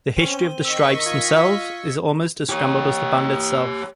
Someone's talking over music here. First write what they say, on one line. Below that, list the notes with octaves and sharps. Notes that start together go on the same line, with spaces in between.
The history of the stripes themselves is almost as scrambled as the band itself.
C4 C#4 D#7 G7
D#3 D#5 C#6 E6 B6
F4 G#6 C#7
G4 C#5